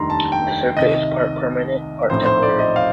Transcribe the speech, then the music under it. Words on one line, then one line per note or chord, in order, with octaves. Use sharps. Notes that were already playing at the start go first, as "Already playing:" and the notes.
The circuit is part permanent, part temporary.
Already playing: F1 D#2 D#3 G3 D4 A#5 C6
A5
G5
C2 C3 D#3 D#5
A#1 A2 F3 C4 D#4 C5
C5
D5
D#5
F5